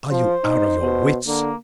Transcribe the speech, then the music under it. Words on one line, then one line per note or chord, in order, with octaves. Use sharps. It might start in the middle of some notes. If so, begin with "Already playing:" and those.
Are you out of your wits?
F3 C5
D#4
B2
D3 A#3